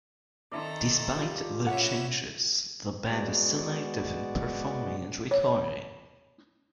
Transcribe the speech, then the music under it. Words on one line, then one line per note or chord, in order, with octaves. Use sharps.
Despite the changes, the band is still active in performing and recording.
D#3 C4 E4 A4 D5 A#5
G3 F4
C#4 C#5 E5 F#5
G#3 B3 F#4 D5
C#5